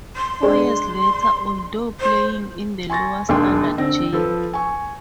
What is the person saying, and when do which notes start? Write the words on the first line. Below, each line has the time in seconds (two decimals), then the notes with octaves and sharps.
Four years later, although playing in the lower standard J.
0.16 C6
0.43 G#3 D4
2.00 C5
2.90 G#5 C6 C#6 A6 A#6
3.29 E1 D#2 D4 G5 C6
3.78 D3 C4 A#6
4.13 F3 A4 B4
4.54 G#5 C#6